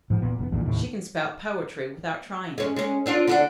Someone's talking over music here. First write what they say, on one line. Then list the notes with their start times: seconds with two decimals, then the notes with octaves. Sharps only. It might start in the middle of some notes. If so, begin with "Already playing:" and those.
"She can spout poetry without trying."
0.10 G#2 F3
0.22 E1 A#2 A#3 B3
0.38 F1 A2 B3
0.52 A#1 E2 A#2 D3
0.65 D#2 A2 C3 D#3
2.58 G#3 C#4
2.76 G#3 C#4
3.06 C4 D4 F4
3.27 D3 D4 F#4